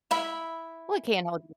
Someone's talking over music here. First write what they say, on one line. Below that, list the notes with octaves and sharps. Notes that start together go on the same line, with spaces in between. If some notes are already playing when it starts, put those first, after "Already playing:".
Well, I can't hold you to
E4 E5 B5